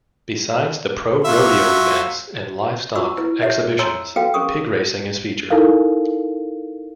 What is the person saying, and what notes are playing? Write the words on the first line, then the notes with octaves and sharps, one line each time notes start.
Besides the pro rodeo events and livestock exhibitions, pig racing is featured.
F#3 F4 E5
F4 F#4 B5 C#6 E6
E4 B4
G4 C#5 E5
C#5 G#5 A#5 C6 E6
F#4 A4 B4 F5 G5
C#4 G#4 A#4 C#6 D#6
D#4 E4 A4 A#4 F5